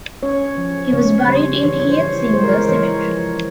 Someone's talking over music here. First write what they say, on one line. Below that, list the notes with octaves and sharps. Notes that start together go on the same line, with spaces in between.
He was buried in Hietzinger cemetery.
C#4 C#5
F3
C#3 C#5
G3 C5
E3 C#5
C#5
C5
E3 C#5
G#3 C5
A#4
C5
C5
E3 C#5
F3